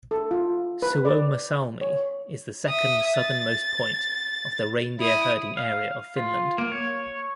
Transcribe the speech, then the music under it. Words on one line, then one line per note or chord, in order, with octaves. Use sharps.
Suomussalmi is the second southernmost part of the reindeer-herding area in Finland.
A4
F4
B4
D5
C#5
E5 D#6
A6
E4 D#6
F5
F4
A#3
C#5